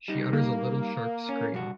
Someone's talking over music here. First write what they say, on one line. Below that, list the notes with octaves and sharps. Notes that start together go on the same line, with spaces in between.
She utters a little sharp scream.
G3 D#4
A#3
C#4
G2 F#4